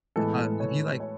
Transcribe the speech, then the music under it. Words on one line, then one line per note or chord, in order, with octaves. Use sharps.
um, have you like
A2 E3 G#3 B3 A4
C#5
C#5